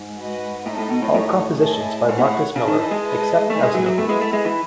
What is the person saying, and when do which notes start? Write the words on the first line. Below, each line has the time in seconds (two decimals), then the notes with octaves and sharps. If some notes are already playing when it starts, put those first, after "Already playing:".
All compositions by Marcus Miller, except as noted.
Already playing: G#2
0.19 F#4 B4 D#5
0.66 A2 D#4 A4 D#5
0.78 A2
0.90 B2
1.02 A2
1.14 A2 D#4 F#4 A4 C#5
1.61 E4 G#4 D#5 A5
2.08 G#2 G#4 C#5 F#5
2.18 B2
2.24 A2
2.56 C#3 G#4 D#5 A5
2.68 D#3
2.79 E3
2.91 G#3
3.03 E4 B4 D#5 A5
3.50 A3 D#4 G#4 B4 E5 G#5
3.63 G#3
3.74 F#3
3.86 F#3
3.98 A3 B3 E4 B4
4.09 G#3
4.21 A3
4.33 G#3
4.45 E3